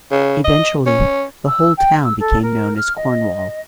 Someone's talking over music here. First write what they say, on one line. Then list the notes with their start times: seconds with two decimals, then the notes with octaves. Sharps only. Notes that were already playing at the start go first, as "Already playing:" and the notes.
Eventually the whole town became known as Cornwall.
0.11 C#3
0.45 D#5
0.86 C#4
1.46 E6
1.77 G5
2.03 E6
2.19 A4
2.42 A#4
2.76 F6
2.96 D#5